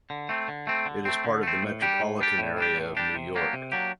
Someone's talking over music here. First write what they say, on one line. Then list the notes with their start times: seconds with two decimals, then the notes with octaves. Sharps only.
It is part of the metropolitan area of New York.
0.10 D3
0.29 A3 C4
0.48 D3
0.67 A3 C4
0.86 D3
1.05 A3 C4
1.25 D3
1.43 A3 C4
1.63 A2
1.81 G3 D4 G4
2.00 A2
2.20 G3 D4 G4
2.38 A2
2.58 G3 D4 G4
2.77 A2
2.97 G3 D4 G4
3.15 C3
3.35 F#3 A#3 D4 G4
3.53 C3
3.72 F#3 A#3 D4 G4